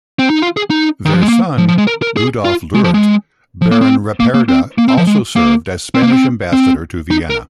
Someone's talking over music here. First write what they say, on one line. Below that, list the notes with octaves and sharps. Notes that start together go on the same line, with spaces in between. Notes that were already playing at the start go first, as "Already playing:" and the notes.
Their son, Ludolph Luirdt, Baron Ripperda also served as Spanish ambassador to Vienna.
C4
D#4
F4
G#4
D#4
D#3
F3
G#3
A#3
F3
F3
G#3
A#4
A#4
G#4
F4
G#3
F3
G#3
F3
A#3
C4
A#3
A#3
C4
A#3
C4
F3
G#3
A#3
C4
A#3
C4
C4
D#4
A#4